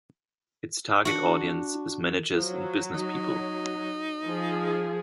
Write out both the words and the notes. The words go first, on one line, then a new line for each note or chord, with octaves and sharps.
Its target audience is managers and business people.
D4 F#4 F#5
F3 F#3
D#4
F3 G#4